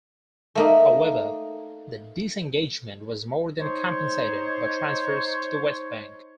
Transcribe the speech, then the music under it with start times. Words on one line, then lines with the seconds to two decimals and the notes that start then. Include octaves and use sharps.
However, the disengagement was more than compensated by transfers to the West Bank.
0.55 A3 A#3 D#4
3.61 D#4 C5 C#5